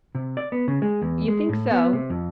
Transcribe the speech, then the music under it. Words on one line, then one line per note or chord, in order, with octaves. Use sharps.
"You think so?"
C3
D5
B3
C#3
G#3
E2
G#3
A2
B3
C3
F2